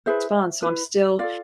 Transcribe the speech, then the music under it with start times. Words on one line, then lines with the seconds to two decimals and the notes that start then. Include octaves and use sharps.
respond, so I'm still,
0.06 E4 G#4 B4 C5 E5
0.62 E4 B4
1.19 F4 A4 D5 F5